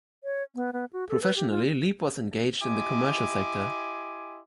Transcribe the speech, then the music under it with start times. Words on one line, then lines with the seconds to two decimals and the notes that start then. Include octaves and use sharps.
Professionally, Leip was engaged in the commercial sector.
0.24 C#5
0.55 B3
0.73 B3
0.93 F#4
1.09 A4
1.22 B4
1.36 G4
1.50 F4
2.63 E4 G4 D#5 G#5 C6 D6